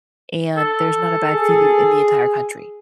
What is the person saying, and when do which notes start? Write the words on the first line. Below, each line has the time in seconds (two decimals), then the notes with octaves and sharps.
and there's not a bad view in the entire country.
0.57 A4
1.35 G#4